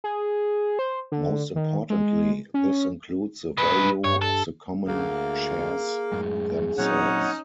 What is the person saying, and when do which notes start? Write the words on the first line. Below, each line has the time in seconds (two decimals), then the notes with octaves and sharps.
Most importantly, this includes the value of the common shares themselves.
0.04 G#4
0.79 C5
1.12 D3
1.56 D#3
1.90 G#3
2.54 C#4
3.57 G#2 B4
4.04 G2 C#5
4.22 A4
4.87 D2 A#3 G#4 F5
6.12 F#2 A2 G#3
6.78 A#2 F#3 C4 C#4 D#4 C#5 F#5